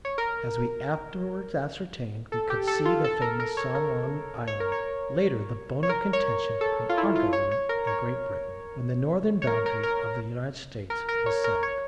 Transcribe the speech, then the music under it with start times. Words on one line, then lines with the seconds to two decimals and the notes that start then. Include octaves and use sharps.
As we afterwards ascertained, we could see the famous San Juan Island, later the bone of contention between our government and Great Britain, when the northern boundary of the United States was settled.
0.05 C#5
0.18 A#4
2.32 A4
2.50 G4
2.67 A4
2.85 F4
3.04 A4
3.22 A#4
3.40 A#4
3.57 C#5
3.75 A#4
4.48 C#5
4.60 A#4
4.72 C#5
5.83 C#5
5.89 A#4
6.13 C#5
6.61 A4
6.89 F4
6.97 E4
7.16 F4
7.33 C#5
7.51 C#5
7.69 A#4
7.87 C#5
9.42 C#5
9.47 A#4
9.66 A#4
9.83 A#4
10.90 A#4
11.09 A#4
11.26 C#5
11.44 A#4
11.63 C#5